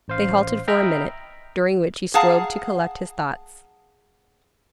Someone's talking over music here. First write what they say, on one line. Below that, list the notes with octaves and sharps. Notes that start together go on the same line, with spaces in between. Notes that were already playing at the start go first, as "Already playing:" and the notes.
They halted for a minute, during which he strove to collect his thoughts.
A1 C5 F5
D#5 E5 G5 A#5 B5 F6
G#4 F5 F#5 A5 A#5